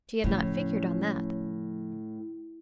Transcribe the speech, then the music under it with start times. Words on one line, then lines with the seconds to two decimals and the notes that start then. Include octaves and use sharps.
She had not figured on that!
0.24 A2 C#3 F3 C#4